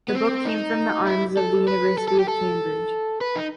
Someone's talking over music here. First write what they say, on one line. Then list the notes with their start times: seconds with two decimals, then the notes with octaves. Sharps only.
The book came from the arms of the University of Cambridge.
0.08 B3
0.15 C4
0.45 D#4
1.07 E4
1.37 A4
1.68 B4
1.98 A4
2.08 A4
2.19 G4
2.28 A4
3.21 B4
3.36 D#4